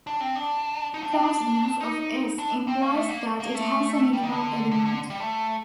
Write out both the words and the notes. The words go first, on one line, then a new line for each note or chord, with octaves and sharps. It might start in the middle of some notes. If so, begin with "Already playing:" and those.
Closedness of "S" implies that it has a minimal element.
D4
C4
D4
D#4
D4
C4
D4
D#4
D4
C4
A#3
A3
A#3
A#3
A3
G3
D#3
D3
D3
D3
G3
A3